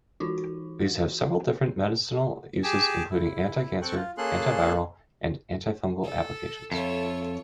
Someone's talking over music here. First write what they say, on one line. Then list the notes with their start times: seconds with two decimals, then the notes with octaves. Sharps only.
These have several different medicinal uses including anti-cancer, anti-viral, and anti-fungal applications.
0.20 E3 D#4 F4 F#4
2.64 G4 G#4 G#5 A5 D6
3.11 E4
3.82 C4 A4 G5 C#6 F#6
3.95 F4
4.18 A#3 C#4 G#4 A4 C6 F#6
6.03 A4
6.72 F2 F4 A4 C#5 E5